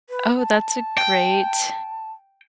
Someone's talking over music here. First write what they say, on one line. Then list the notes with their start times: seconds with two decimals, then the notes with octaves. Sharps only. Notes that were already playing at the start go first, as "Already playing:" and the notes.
Oh, that's a great
0.10 B4
0.37 A5
0.98 G5